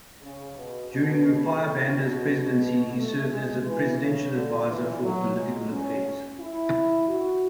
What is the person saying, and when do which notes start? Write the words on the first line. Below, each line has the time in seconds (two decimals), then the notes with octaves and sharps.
During Rupiah Banda's presidency, he served as a Presidential Advisor for Political Affairs.
0.22 C#3
0.56 B2
0.90 B2
1.58 A2
1.93 B2
2.96 A3
3.30 G#3
3.65 E3
3.99 C#3
4.33 D3
4.68 E3
5.02 F#3
5.36 G#3
5.70 C#4
6.39 E4
7.08 F#4